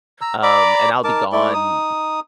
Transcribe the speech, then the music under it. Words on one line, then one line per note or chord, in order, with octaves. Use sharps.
Um, and I'll be gone
A#5 E6
D5 A#5 B5 D6
D#4 A#4 A5 D6
A3 E4 D5
D#4 D#6